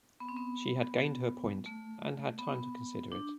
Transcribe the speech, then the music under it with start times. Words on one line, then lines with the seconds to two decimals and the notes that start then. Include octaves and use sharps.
She had gained her point, and had time to consider it.
0.20 B3
0.29 C4
0.36 B3
1.66 A3
2.39 B3
3.12 D4